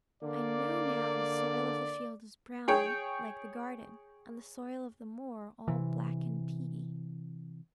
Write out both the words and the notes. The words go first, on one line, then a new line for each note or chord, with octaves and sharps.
I know now the soil of the field is brown, like the garden; and the soil of the moor all black and peaty.
D3 A#3 D5
G#4 C#5 G5
C3 E3